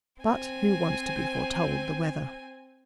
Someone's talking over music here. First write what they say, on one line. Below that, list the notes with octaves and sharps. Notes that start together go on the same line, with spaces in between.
But who wants to be foretold the weather?
C4 G#5